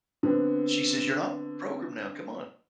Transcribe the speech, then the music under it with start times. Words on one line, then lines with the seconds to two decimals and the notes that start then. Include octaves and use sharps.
She says, "You're not programmed now, come on.
0.23 D3 B3 C4